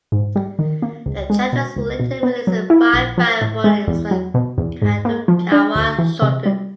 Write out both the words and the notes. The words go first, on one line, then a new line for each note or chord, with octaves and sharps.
The chapters were later released in five bound volumes by Kadokawa Shoten.
G#2
G3
D#3
A#3
C#2
G#3
B2
C#2
B2
B3
F#3
E4
A#1
F3
A2
G#3
E2
F#3
B2
E2
G#2
A#3
F3
D4
D2
E3
C3
G3